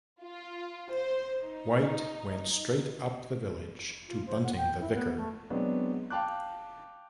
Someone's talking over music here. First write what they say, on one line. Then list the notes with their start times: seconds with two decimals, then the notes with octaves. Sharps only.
White went straight up the village to Bunting the vicar.
0.21 F4
0.92 C5
1.43 D#4
4.08 F4
4.27 C5
4.44 F#5
4.56 G5
4.81 E4
4.94 B3
5.17 A3
5.50 F#3 G#3 B3 C4 D4
6.10 F5 G5 A5 D6 F#6